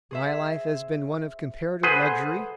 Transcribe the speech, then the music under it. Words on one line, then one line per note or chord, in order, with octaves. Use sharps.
My life has been one of comparative luxury.
G#4 C5 E5
G#4 A4 B4 C5 F#5